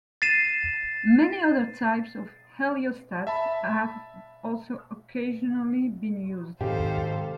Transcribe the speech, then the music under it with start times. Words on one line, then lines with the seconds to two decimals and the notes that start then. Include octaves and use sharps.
Many other types of heliostat have also occasionally been used.
0.22 A6 C7 D#7 E7
3.27 E5 A5 B5
6.61 G#2 C3 D#3 G4 A4 C5 F5